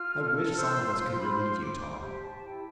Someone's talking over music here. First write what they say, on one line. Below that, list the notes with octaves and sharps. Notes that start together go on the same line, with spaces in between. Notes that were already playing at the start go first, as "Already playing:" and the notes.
"I wish some of us could relieve you, Tom."
Already playing: F4 F6
A4
A4
F6
C5 E6
F4
C6
C5
F4 B5
C5 C6
C5 D6
C5 D6
G4 C6
G4 A5
E4 G5